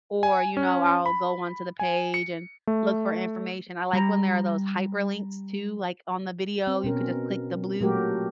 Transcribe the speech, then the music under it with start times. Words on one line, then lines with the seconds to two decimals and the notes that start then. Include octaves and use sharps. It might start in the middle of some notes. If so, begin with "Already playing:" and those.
or, you know, I'll go on to the page and look for information. I like when there are those hyperlinks too, like, on the video. You could just click the blue,
0.23 G#5
0.57 C#4
1.06 B5
1.79 G#5
2.14 C#7
2.67 A3
3.93 G3 A#5
6.67 C4
6.84 B2 C#4 A#4
7.81 A#2 F#3 A3 F#4 G4 A#4